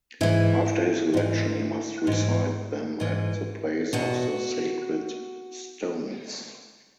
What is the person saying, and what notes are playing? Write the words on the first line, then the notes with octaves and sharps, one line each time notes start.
After his election he must recite them at the place of the sacred stones.
G#2 E3 E4
G#2 E3
G#2 E3
G#2 E3
E2 B2 F#4